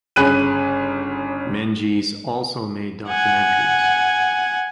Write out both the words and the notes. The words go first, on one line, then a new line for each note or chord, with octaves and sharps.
Menges also made documentaries.
G1 C#3 G#4 B5 F#6 D#7
F#5 G#5